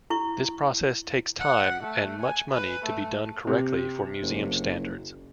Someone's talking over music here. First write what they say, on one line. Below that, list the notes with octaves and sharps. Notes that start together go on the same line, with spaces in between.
This process takes time and much money to be done correctly for museum standards.
E4 C#6
F#5
A3
G#5
B4
A3
C3
F#1